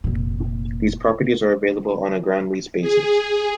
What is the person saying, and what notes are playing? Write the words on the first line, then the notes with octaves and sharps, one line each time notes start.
These properties are available on a ground lease basis.
F1 A#2
G#4